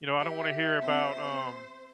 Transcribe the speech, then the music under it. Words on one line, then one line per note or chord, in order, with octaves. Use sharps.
you know, I don't wanna hear about, um"
G4 E5
B3 C4 C5